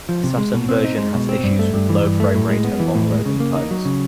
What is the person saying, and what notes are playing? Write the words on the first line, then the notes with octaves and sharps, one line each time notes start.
The Saturn version has issues with low frame rate and long loading times.
F3
C3
G#3
B2
C4
D#4
G#3
B2
C4
G2
A3
G2
E3
G2
A3
A2
G#3
B3
E3
A2
G#3
C#3
A#3
D#4
F#3
C#3